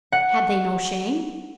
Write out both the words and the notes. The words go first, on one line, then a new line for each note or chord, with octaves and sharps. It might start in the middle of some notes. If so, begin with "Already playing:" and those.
Had they no shame?
F#5